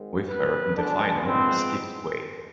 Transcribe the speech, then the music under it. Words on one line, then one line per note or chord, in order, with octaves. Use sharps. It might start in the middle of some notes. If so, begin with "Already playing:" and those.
With her in the final was Gift Gwe.
Already playing: G#1 G#2 D#3
C2 B2 B3 B4
D2 D3 G#3 B3 D4
G#2 F3 G#3 B3 C4